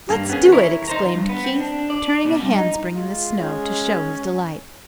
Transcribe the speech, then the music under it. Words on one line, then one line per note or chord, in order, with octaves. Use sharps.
"Let's do it!" exclaimed Keith, turning a handspring in the snow to show his delight.
G2 A#3
B3 C#4 G#4
E4 A#4 C#5
D#4 C5 A#5
G2
B3
C4
D4
D5
B2
G2
D#4
G#3 F4
C#4